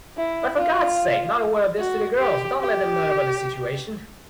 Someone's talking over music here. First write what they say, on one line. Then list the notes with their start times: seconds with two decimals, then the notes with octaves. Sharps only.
But for God’s sake! Not a word of this to the girls- don’t let them learn about the situation.
0.17 E4
0.58 F4
1.79 F#4
2.19 G4
2.60 G4